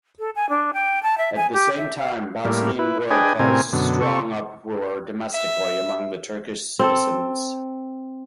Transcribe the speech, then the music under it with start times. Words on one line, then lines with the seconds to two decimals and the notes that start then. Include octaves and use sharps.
At the same time Bosnian War caused strong uproar domestically among the Turkish citizens.
0.19 A4
0.36 G#5
0.49 D4
0.74 G5
1.03 A5
1.18 E5
1.37 G#5
1.53 G4
1.77 E5
1.98 F5
2.45 A2 G3 A#3
2.79 E4 B4
3.11 D4 G#4 B4 D#5 G5 G#5
3.39 A2 C3 C4 A#4 G#5
3.73 F#2 B2 D3
4.01 C3 A4 C#6
5.33 E5
6.79 C4 A4